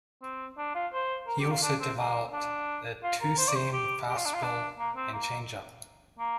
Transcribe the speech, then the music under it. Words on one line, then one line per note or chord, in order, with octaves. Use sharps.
He also developed a two-seam fastball and changeup.
C4
D4
F4
C5
A#4
G4
F4
D4
C4
A#3
D4
F4
A#4
C5
D5
C5
G4
G4
F4
D4
F4
D4
A#3
C4
A#3
A#3